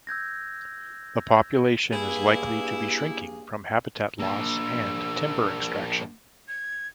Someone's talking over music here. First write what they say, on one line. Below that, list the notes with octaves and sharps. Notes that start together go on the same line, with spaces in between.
The population is likely to be shrinking from habitat loss and timber extraction.
E6 G6 G#6 A#6
G2 A#3 E4 G#4
A#3 D4 E6
G#6